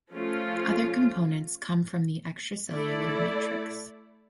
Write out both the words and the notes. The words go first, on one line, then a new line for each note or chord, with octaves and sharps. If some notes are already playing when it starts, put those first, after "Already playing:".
Other components come from the extracellular matrix.
F3 A3 C#4 F4
A3 E4 A4 D5